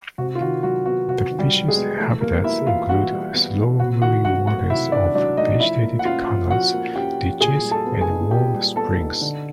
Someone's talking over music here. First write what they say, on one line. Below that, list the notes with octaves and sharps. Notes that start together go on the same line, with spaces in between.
The fish's habitats include slow-moving waters of vegetated canals, ditches, and warm springs.
C3 F#4
F4
D#3 F#4
F#3 F#4
B3 F#4
C3 F#4
D#3
G3 G4
F#3
G#3 G#4
B3
E3 A3 A4
G3 A#3 A#4
B3 E4 E5
E3 F4 F5
E3 F#4 F#5
G3
B3
E3
C3 F#4 F#5
D#3 F#4 F#5
F#3 F#4 F#5
A3 F#4 F#5
C3 E4 E5
D#3 D4 D5
F#3 D4 D5
A3 D#4 D#5
F3 E4 E5
A#3
F#5
C#4 F4 F5
F3
F3 F#4 F#5
A#3
C#4 G4 G5
F3
A#2 G#4 G#5
G3
A4 A5
B3
G#4 G#5
D#4
A#2 G4 G5
G3
B3 A4 A5
D#4
D3